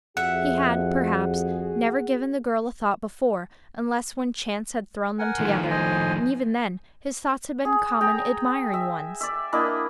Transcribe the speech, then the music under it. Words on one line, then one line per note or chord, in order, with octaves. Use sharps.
He had, perhaps, never given the girl a thought before, unless when chance had thrown them together, and even then his thoughts had been common admiring ones.
F2 F#4 G#4 E5 F#5
A#4 F#5 G#5
D#3 F3 A3
C5 D#5 G#5
G#4
G#4 G5 A#5
E5
D5 E5
A#3 D4 E4 D#5